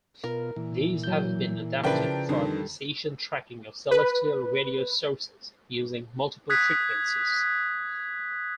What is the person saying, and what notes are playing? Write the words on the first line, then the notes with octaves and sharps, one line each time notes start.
These have been adapted for precision tracking of celestial radio sources using multiple frequencies.
B2 F4 A#4
A#2 E3
F#3 G6
C#3 F3 D4 E4 A#4 B4 G5
F2 D3 D#3 G3 A4
B4
D#6 F#6 G#6 B6